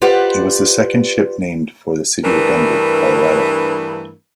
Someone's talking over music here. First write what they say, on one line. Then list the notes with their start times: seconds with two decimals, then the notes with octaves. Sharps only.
It was the second ship named for the city of Denver, Colorado.
0.02 F4 G4 B4 C5 D5 F#5
2.25 G2 E3 A3 B3 D4 A#4